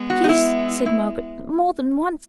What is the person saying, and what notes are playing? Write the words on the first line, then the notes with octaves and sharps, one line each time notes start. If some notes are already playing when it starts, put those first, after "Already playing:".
'Yes,' said Margaret, 'more than once.
Already playing: G#3 B3
F#4
D#4
E4
E4